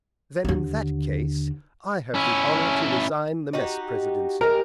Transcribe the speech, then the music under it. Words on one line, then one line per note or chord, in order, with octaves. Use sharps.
"Then, in that case, I have the honour to resign the mess presidency."
D#2 D3
C#4 E4
D#4 F#4 G4
G#3 G4 A#4